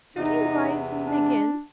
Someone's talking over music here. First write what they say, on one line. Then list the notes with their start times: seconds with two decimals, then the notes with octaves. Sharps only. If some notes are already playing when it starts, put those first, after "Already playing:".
Should he rise and begin?
0.16 E2 C3 D#4
1.04 D4